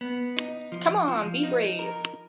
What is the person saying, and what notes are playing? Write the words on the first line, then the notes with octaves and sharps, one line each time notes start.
Come on, be brave!
B3
D#4
F3
F3
D#4
A#4